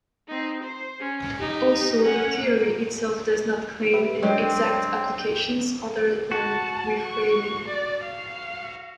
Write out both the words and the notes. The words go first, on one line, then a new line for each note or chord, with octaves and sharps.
Also, the theory itself does not claim and exact applications other than "reframing".
C4 D#4
C5
C#4
D#4 G4
C#4 F#5
A#3
G4 B4 E5
F#3 G#3 C4 D4 G4 C#5
G6
F#4 A5
C#6
D5
F5